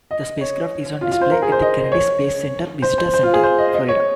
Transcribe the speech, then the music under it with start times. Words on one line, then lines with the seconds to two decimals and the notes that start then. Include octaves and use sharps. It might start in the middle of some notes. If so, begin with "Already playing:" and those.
The spacecraft is on display at the Kennedy Space Center Visitor Center, Florida.
0.11 D#5
0.41 C#5
1.01 F4
1.12 F4
1.21 C5
1.32 A#4
1.42 G#4
1.52 C5
1.62 D#5
1.92 C#5
2.82 C5
2.98 C5
3.14 C5
3.23 F4
3.33 G#4
3.43 C5
3.58 D#5
3.73 D#5
3.88 C#5